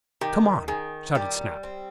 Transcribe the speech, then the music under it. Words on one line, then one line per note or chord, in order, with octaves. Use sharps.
"Come on!" shouted Snap.
D#3 G4
D#3 G#4
G3 G4
C4